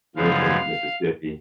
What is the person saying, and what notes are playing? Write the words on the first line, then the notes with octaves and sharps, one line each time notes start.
originally Mississippi.
F#2 C#3 F3 G#3 B3 F5